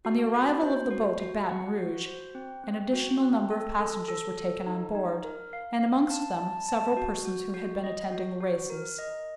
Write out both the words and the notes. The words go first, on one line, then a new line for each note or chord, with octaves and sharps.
On the arrival of the boat at Baton Rouge, an additional number of passengers were taken on board; and, amongst them, several persons who had been attending the races.
F#4
F#4
C5
F#4
F#4
F#5
F#4
C5
C4
C4
F#4
C4
A4
A4
A4
A4
D#4
D#4
A#4
F5
F5
A5
A5
A5
F#4
F#4
F#4
D#5
F#4
F#4
A#4
D#5